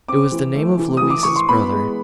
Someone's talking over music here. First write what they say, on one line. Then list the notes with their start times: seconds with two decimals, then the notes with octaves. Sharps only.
It was the name of Louise's brother.
0.08 C4 D6
0.32 E3
0.55 A3
0.79 E3
0.97 E3 D#6
1.10 D6
1.23 E3 C#6
1.36 C6
1.49 B3 B5
1.72 G#3